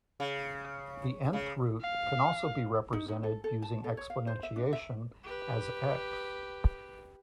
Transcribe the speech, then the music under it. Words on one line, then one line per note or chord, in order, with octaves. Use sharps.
The "n"th root can also be represented using exponentiation as "x".
C#3
C#3
F5
D#4
D#4
A4
A4
A5
A4
C#5
F5
C5
E5
D4
E5
G4 B4